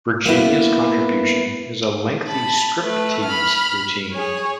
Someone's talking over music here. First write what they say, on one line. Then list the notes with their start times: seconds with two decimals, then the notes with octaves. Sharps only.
Virginia's contribution is a lengthy striptease routine.
0.26 A#3 B3 E4
2.28 A5 B5
2.82 A3 B4
3.25 B5 F6
4.13 G#4 C#5